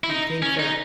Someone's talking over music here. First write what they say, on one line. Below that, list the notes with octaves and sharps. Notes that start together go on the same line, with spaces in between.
do you think that
E4
D#4
C#4
D#4